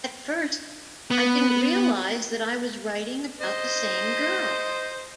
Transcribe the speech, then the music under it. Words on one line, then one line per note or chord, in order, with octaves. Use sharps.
At first I didn't realize that I was writing about the same girl.
B3
C5 D#5